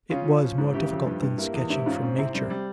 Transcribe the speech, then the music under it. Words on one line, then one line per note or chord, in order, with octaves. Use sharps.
It was more difficult than sketching from nature.
C#3 C#4 F4
F3
F3
G#2
C#3 E4 G4
F2
G2
G2
A#3 E4 G4
E2
G#2 E4 G4
G#2 C#4 F4
C4 C#4
C3 C4 E4
G3 C4
G3